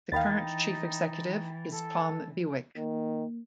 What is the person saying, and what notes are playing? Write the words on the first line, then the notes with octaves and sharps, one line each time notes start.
The current chief executive is Tom Bewick.
D#2 D#3 E3 D#4 F5 G5 B5 A6
A4
D#3 A#3